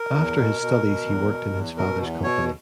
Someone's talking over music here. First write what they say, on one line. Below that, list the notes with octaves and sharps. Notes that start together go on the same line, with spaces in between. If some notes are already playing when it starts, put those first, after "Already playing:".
After his studies, he worked in his father's company.
Already playing: A#4
E2
B2
B2
B2
E2
B2
E2
B2 A#4
E2
B2 C#5